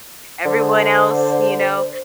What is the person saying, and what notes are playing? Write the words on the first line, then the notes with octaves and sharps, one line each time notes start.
everyone else, you know,
D3 C5